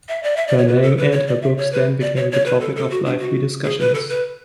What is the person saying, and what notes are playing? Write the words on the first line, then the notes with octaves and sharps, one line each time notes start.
Her name and her books then became the topic of lively discussions.
E5
D5
E5
D5
C#5
B4
A4
B4
C#5
D5
E5
C#5
B4
D5
C#5
C#5
B4
A4
A4
F#4
D4
F#4
G#4
B4
A4
B4